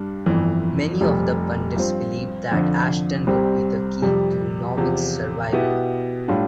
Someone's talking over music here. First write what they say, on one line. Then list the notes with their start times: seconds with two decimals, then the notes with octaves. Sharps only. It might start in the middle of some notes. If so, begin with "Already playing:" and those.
Many of the pundits believed that Ashton would be the key to Norwich's survival.
Already playing: G2 G3 D4
0.26 G1 F2 E3
1.01 F1 F2 C3 G3
1.77 G2 F3 C4
2.52 F2 D3 F3
3.27 C2 C3 G3 C4 G4
4.02 F2 C3 G3
4.77 E2 C3 F3
5.53 B2 B3 E4 G4
6.28 A2 G3 D4 F4